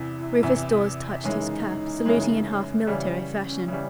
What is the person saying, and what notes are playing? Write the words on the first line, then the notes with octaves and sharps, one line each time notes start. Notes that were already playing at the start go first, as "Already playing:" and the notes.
Rufus Dawes touched his cap, saluting in half military fashion.
Already playing: E2 C3 E3 E4
E2 C3 E3
F#2 C#3 E3 G#3 D#4
F#2 C#3 E3 G#3
C#3 E3 G3 C#4
C#3 E3 G3